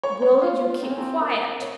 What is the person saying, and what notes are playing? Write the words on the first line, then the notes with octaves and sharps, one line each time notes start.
"Will you keep quiet?"
C#5
C#5
F4
C4
C#4
C4
A#4
C#5